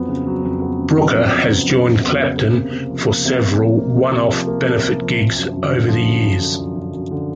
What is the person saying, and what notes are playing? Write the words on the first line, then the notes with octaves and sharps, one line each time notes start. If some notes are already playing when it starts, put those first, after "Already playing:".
Brooker has joined Clapton for several one-off benefit gigs over the years.
Already playing: F2 F#3 B3
C#3
F#3
F2
B3
C#3
F#3
F2
B3
C#3
F#3
F2
B3
C#3
A#3
C3
C3
F3
A#3
C3
C3
F3
A#3
C3
C3
F3
A#3
C3
C3
F3
F3
F#2
F#2
D3
F3
F#2
F#2
D3
F3
F#2
F#2
D3